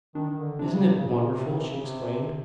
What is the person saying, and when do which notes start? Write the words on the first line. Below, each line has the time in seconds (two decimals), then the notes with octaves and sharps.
"Isn't it wonderful!" she exclaimed.
0.15 D#3 D4
0.28 D#3
0.38 D3
0.59 C3 D4
0.71 C#3
0.84 C3
0.96 C#3
1.08 C3
1.20 C#3
1.33 C3
1.46 C#3
1.57 C3
1.70 C#3
1.82 C3